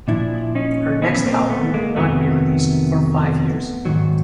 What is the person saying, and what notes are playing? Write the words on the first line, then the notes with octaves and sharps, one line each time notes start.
Her next album would not be released for five years.
A#2 F3 D4 E4
C#4 D#4
B3 C#4
A#3 C4
A3 B3
G#3 A#3
F2 C3 D#3 F#3 A3 B3
G#2 D#3 F#3